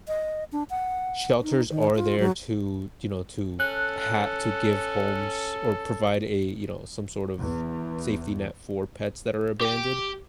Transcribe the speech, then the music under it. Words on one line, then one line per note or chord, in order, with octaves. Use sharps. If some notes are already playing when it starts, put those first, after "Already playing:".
shelters are there to you know, to ha to give homes, or provide a you know, some sort of safety net for pets that are abandoned.
D#5
D4
F#5
D#4
D#3
F4
F#3
C#4 A4 F#6
E2
G4 G5